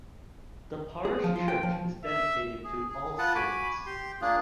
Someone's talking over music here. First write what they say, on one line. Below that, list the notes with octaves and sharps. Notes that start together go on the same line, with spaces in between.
The parish church is dedicated to All Saints.
G#4
F3
F4
G5
F3
E5
G#4
G#4
F4 B4 F#5 A5
F#4 G#5 B5 D6
G4 C6
A#3 D4 F4 G#4